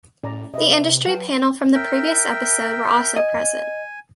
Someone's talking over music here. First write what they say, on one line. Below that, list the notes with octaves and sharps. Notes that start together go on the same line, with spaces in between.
The industry panel from the previous episode were also present.
A2 C#4 D5 A#5
C3 B4 D#5 E5
F#3 B4 F5 G5 A5
A#4 E5 G5
D#5 G#5